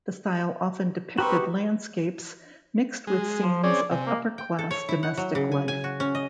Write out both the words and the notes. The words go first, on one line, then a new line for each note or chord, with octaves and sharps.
The style often depicted landscapes mixed with scenes of upper-class domestic life.
B2 C4 D#4 F#4 G4 A#4 B4 C#6
G#3
F3
C4 C#4 G#4 D5
C3 G#5
A#3
G5
A4
C#5
E4
F#5
F#3
C#3
G#5
G#5
F#4
C#4
D#5